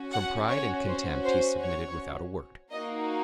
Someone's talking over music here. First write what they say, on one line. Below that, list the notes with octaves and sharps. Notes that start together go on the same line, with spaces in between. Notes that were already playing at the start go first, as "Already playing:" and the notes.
From pride and contempt he submitted without a word.
Already playing: C#4 F#4
F#5
C#5
C5
C5
C#5
A#3 D#4 F#4 D#5